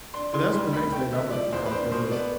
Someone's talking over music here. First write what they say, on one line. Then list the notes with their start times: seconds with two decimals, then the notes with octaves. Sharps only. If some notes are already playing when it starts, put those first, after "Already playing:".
but that's the next thing I'm about to try 'cause
0.14 D4 C6
0.33 E3 C6
0.53 G3 C6
0.73 D2 B5
0.92 A3 G5
1.12 D3 E5
1.32 F3 D5
1.53 E2 C5
1.66 B4
1.71 D4 C5
1.91 B2 C5
2.12 B3 D5